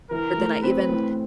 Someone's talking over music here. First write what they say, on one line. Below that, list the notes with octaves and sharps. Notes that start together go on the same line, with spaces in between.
Then I even
E3 A#4
A3
C4 B4
A2